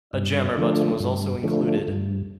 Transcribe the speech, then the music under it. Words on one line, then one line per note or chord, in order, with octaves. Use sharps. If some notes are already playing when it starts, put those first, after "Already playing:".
A Jammer button was also included.
G2
D3 F3 A3
G2
D3 F3 A3
G2